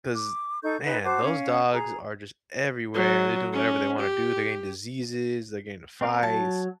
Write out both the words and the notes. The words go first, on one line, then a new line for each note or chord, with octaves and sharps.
'cause, man, those dogs are just everywhere, they're doing whatever they wanna do, they're getting diseases, they're getting into fights.
D6
D#4 A4 C#6 G6
D#4 B4
F#4 C5 A5 D6
C#4 F5
G#4 A#5
F#3
C#4
G4
C4 A#4 F5
F#3 A5